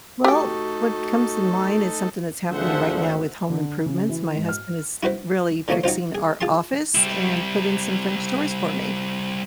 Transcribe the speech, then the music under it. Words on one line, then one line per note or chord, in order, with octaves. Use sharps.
Well, what comes to mind is something that's happening right now with home improvements, my husband is, uh, really fixing our office and put in some French doors for me.
A3 D#4 F#4 G4 A4 G5
G#1 D2 D3 F3 G#4 C5 E5 F#5
D3
C#3
E3
G#2
F6
E4 F#4 B4 C5
D3 E3 F3 A3 A#3 C#5
F#3 D#4 F4 C5
G#4
F4 G#4 A5 C6
G3 E4